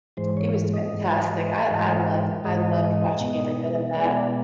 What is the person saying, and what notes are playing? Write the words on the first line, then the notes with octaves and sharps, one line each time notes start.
it was fantastic, I I loved I loved watching every bit of that.
G#2 E3 G#3 C5
C#5
D#5
G#2 E3 G#3
G#2 E3 G#3
G#2 E3 G#3 D#5
B2 G#3 B3
B2 G#3 B3 D5
D5